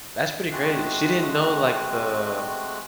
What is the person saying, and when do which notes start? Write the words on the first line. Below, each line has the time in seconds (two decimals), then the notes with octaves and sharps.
That's pretty crazy. She didn't know, like, the
0.52 G#3 A3 C4 F#4 G4 F#6